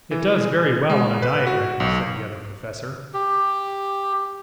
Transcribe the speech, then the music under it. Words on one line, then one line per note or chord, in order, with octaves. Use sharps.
"It does very well on a diagram," said the Other Professor.
E3
G#4
G#3
B4
F#4
B1
G4